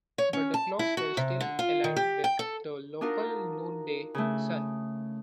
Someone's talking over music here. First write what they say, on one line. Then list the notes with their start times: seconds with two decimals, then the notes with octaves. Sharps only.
But the clocks were still aligned with the local noonday sun.
0.18 C#5
0.33 C#4
0.54 A5
0.79 E4
0.97 F#4
1.17 C3
1.41 D3
1.59 F4
1.84 D#3
1.96 G4
2.24 G5
2.39 A4
3.01 D4 D#4 F4 F#4 A#4
4.15 C#3 A3